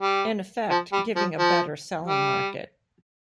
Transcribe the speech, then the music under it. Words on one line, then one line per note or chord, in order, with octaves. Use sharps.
In effect, giving a better selling market.
G3
F3
G3
F3
F3
G3